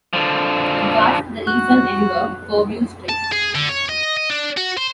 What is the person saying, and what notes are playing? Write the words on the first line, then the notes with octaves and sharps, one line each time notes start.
It guards the eastern end of Foveaux Strait.
D3 F3
F#4 F#6
A5
G#4
D3
C#5
D#5
D#5
D4
F#4
C5